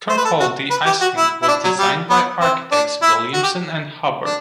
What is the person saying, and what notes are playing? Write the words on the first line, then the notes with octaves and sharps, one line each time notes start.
Kirkcaldy Ice Rink was designed by architects Williamson and Hubbard.
C5
B4
A4
F#4
B4
G4
F#4
E4
E4
D4
F#3
G3
B3
C4
D4
E4
F#4
G4
D4